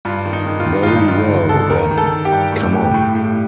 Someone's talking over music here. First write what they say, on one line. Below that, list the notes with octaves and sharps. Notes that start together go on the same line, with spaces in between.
Very well, then; come on.
G2 F4
D#3
D#4
D#3
F4
D#3
F4
G2 D#4
G2 F4
D3
D3 A4
D#3 A#4
D#3
A4
D#3
G4
G2
A2
A2
A2
A2